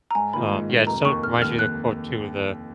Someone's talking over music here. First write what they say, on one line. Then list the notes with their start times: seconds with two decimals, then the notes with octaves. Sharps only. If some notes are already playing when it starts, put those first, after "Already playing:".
um Yeah, it sort of reminds you of the quote too, the
0.11 A#5
0.15 G#2 G#5
0.33 D#3 A#3 F4 B5
0.51 G#2
0.69 D#3 A#3 F4
0.87 F1 A#5
1.05 D#2 D#3 A#3 C#6
1.23 F1 F6
1.41 D#2 D#3 A#3 F6
1.59 F#6